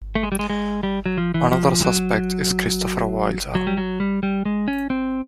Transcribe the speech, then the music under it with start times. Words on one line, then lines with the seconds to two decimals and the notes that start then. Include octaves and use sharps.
Another suspect is Christopher Wilder.
0.15 A3
0.23 G#3
0.32 G3
0.39 G#3
0.50 G#3
0.83 G3
1.06 F#3
1.18 F3
1.34 E3
1.51 F3
1.84 F#3
3.55 F#3
3.67 G3
3.77 F#3
4.00 G3
4.23 G3
4.45 G#3
4.68 C#4
4.90 C4